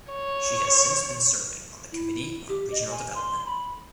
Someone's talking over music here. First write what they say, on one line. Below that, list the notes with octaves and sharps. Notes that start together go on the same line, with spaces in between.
She has since been serving on the Committee on Regional Development.
C#5
E4
G4
D#5
G#5
C6
B5